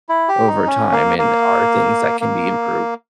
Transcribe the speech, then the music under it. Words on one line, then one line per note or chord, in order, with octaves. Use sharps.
over time and are things that can be improved
E4
G4
D#4
C#4
A#3
A#3
A#3